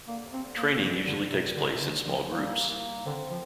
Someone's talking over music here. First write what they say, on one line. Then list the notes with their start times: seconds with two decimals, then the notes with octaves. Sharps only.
Training usually takes place in small groups.
0.08 D3 A#3
0.26 C3
0.33 C4
0.44 D3
0.57 A#3
0.78 D3
0.82 F3 G3
1.06 D3
1.32 C3
1.56 D3
1.75 C3
1.81 D3
2.06 F3
2.31 G3 A#3
2.68 A#3
3.06 D3 C4
3.30 F3